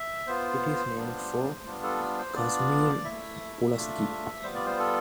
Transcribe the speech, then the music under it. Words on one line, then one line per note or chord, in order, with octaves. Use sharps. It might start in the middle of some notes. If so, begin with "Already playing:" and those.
It is named for Casimir Pulaski.
Already playing: E5
B3 F4 C5
G3 B3 D4 F4
G3 B3 D4 F4
A4
C5
B3 D4 F4 D5
A3 E4 E5
A3 D4 F4
G3 B3 F4 C5
D5
C5
A4